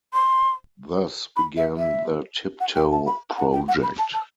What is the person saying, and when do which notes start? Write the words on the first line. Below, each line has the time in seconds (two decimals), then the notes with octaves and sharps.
Thus began the Tip Tow project.
0.14 C6
1.36 B5
1.57 E5
1.78 E5
2.60 F#5
2.75 G5
2.91 A5
3.07 B5
3.37 F#5
3.53 G5
3.68 F#5
3.83 B5
3.99 A5
4.14 A5